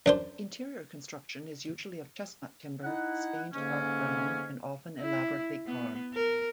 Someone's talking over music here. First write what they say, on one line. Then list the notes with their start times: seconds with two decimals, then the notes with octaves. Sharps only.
Interior construction is usually of chestnut timber, stained dark brown and often elaborately carved.
0.06 F#2 D4 C5
2.84 D#4 E4 F#5
3.54 G#2 D3 A#3 C#4
5.01 E4
5.67 B3
6.14 A#4